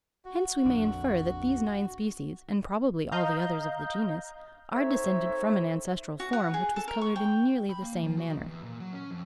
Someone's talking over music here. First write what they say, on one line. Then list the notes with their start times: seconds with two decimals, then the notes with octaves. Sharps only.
Hence we may infer that these nine species, and probably all the others of the genus, are descended from an ancestral form which was coloured in nearly the same manner.
0.25 F#4
0.65 A#1 F2 D4
3.12 D#5 F5 A#5 G6
4.72 C4 D#4 A4 C#5 E5
6.20 F#4
6.33 F#5
6.54 G#4
6.76 A4
6.88 A#4
7.01 C#6
7.16 G5
7.69 B5
7.82 A#3
8.03 F3
8.17 F#4
8.29 D#3
8.46 E2
8.63 A#2
8.80 F#3
8.93 C#4
9.11 F2